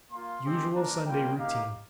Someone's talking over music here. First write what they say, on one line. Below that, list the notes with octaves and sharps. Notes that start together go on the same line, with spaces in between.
Usual Sunday routine.
A#3 F4 C6
G#3 C4 G4
A#3 D4 F4 A#5
G3 A#3 F4 G5
A#3 D#4 G4 F5